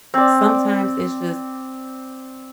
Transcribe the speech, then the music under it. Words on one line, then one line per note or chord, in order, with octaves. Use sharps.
sometimes it's just
C4 D5